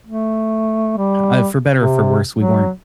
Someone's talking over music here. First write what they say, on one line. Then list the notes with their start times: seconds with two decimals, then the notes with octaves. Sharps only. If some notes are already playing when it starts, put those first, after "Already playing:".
uh, for better or for worse, we weren't,
0.07 A3
0.97 G3
1.77 C3
2.36 F#3